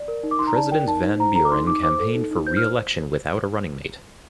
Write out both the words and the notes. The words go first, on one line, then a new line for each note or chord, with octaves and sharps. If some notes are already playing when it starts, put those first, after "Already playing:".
President Van Buren campaigned for re-election without a running mate.
Already playing: D5
A#4
D#4
D6
D#4 C6
A#5
D5 A5
A#4 G5
D#4 A5
D#4
C5 A#5
A4 A#5
D6
D#4 C6
D#4 D6
C5 D6
A4
D#4
D#4
C5 G6
F6